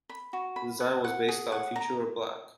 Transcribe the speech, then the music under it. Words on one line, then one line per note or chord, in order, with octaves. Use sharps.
The design was based on Futura Black.
B5
F#4
B5
F#5
F#5
G#4
F#5
A#5